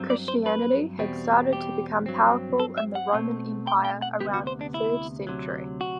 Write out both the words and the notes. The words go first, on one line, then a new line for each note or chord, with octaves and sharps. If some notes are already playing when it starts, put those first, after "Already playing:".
Christianity had started to become powerful in the Roman Empire around the third century.
Already playing: G2 F#3 C4
D5
C5
B4
E2 B2 G3 C4
G4
G2 F#3 C4
A4
E5
F#5
B2 A3 C4
G5
G5
F#5
D2 C3 E3 G3 B3 G4
F#4
C5
D4
E4
D2 C3 F#3
F#4